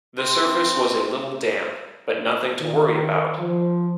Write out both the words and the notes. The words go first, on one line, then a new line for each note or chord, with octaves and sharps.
The surface was a little damp, but nothing to worry about.
C4
D#3
F3